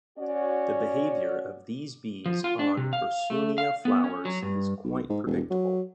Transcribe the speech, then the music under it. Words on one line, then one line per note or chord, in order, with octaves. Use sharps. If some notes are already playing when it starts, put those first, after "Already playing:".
The behaviour of these bees on "Persoonia" flowers is quite predictable.
C#4 F#4 D5
F3
F4
D4
C3
F5
A3
F5
B3
C#4
F#3
G2
B1
G#2
E1
F#3